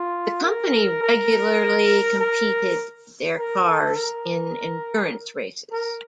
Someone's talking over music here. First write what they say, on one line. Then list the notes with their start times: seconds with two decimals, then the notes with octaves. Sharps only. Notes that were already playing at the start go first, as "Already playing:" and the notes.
The company regularly competed their cars in endurance races.
Already playing: F4
0.43 A#4
1.02 A#4
2.20 A#4
3.37 A#4
3.66 A4
3.95 A#4
5.72 A#4